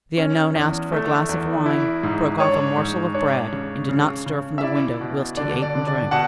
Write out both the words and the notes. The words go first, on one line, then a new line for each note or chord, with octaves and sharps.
The unknown asked for a glass of wine, broke off a morsel of bread, and did not stir from the window whilst he ate and drank.
C#4
E2
A3
E2
E4
G#2
D4 C#5
G#2
D4 C#5
C#3
C#3
C#3
E5
E4 D5
B2
D3 D5
D5
D3
D5
B2 F#5 A5